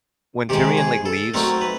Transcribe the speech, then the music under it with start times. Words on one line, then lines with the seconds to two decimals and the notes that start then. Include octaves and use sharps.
when Tyrion, like, leaves,
0.49 C3 D#3 G#3 G4
0.77 G#4
1.06 A4
1.34 F#3 A3 C4 D#4 A#4
1.62 B4